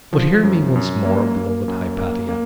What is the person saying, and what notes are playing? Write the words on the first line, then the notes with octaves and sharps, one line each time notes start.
But hear me once more, beloved Hypatia.
F3
F#2
F#2
A#3
A#3
F#2
A#3
A#3